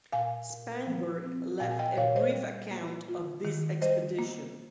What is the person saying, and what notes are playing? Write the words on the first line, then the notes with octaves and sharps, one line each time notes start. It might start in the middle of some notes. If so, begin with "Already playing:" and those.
Spangberg left a brief account of this expedition.
A#2 F5 G#5
A#2
F3
C4
A#2 F5 G#5
G#5
D#5 G5
A#2 C#5 F5
C5 D#5
G3
A#3
F4
D#3
G3 C5 D#5
A#3